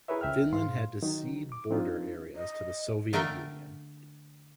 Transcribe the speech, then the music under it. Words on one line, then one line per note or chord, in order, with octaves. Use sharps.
Finland had to cede border areas to the Soviet Union.
E4 G#4 A#4 B4 C#5 E5
C#2 E5 G5 F6
G#2 F5 C6
D#3 F#3 D#4
D6
F3 C4 D4 D#4 F4
D#5
D3 A3 A#4 F5 G5